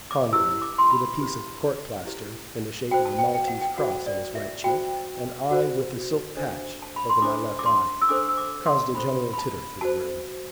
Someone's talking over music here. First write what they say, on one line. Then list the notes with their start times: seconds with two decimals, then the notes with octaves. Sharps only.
Conway, with a piece of court-plaster in the shape of a Maltese cross on his right cheek, and I with the silk patch over my left eye, caused a general titter through the room.
0.11 D6
0.33 E4 G4 B4 E6
0.62 D6
0.78 C6
0.90 B5
1.18 E4 G4 B4
2.05 E4 G4 B4
2.91 F#4 C5 G5
3.05 A5
3.19 G5
3.34 G5
3.48 F#5
3.61 G5
3.78 F#4 C5 F#5
4.07 D5
4.35 E5
4.64 F#4 C5 G5
5.51 F#4 C5
6.37 D4 A4 C5
6.82 A5
6.96 B5
7.09 C6
7.22 D4 A4 C5 D6
7.59 D6
7.66 C6
8.02 E6
8.09 D4 A4 C5 D6
8.28 E6
8.38 D6
8.66 C6
8.95 D4 A4 C5 B5
9.34 B5
9.38 A5
9.81 F#4 C5 A5